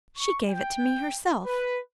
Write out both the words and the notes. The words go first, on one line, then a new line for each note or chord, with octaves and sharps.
"She gave it to me herself."
C#6
G5
B4